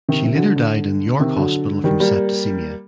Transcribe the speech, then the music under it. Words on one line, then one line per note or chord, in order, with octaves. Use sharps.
She later died in York Hospital from septicaemia.
C3 D#3
C3 D#3
D3 F#3
D3
D3
C3 D#3
D3 F#3
D#3 G3
G3 A#3